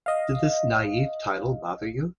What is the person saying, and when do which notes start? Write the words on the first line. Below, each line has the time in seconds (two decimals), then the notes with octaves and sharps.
Did this naive title bother you?
0.06 D#5 F5